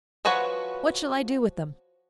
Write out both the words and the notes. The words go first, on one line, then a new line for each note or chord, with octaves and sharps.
What shall I do with them?'
F3 F#4 B4 C#5 F#5